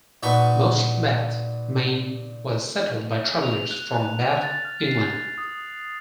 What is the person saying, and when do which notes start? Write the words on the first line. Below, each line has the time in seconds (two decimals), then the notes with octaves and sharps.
Most of Bath, Maine, was settled by travelers from Bath, England.
0.23 A#2 D#4 F#4 B4 A5 C#6
3.42 F7
3.71 F#6
3.94 F#6
4.43 A6
4.64 F6
4.87 C7
5.38 D#6